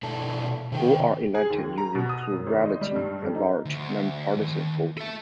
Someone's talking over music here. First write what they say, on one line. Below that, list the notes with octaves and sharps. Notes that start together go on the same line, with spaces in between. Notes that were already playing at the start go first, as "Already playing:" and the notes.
All are elected using plurality at-large non-partisan voting.
B2 D4 E4 A4 A5
C3 D#3 G5
G#4
D#2
A#5
B2
D#6
F#2
G#1
D#5
G3
G2
F2
D#4
D2
D#2 G#2
A4 E5